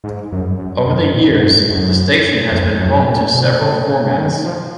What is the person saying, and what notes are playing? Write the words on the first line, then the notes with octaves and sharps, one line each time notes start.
Over the years, the station has been home to several formats.
G#2
F#2
F#2
F#2
A#2
F#2
G#2
F#2
F2
F#2
A#2
B2
C#3
D#3
F3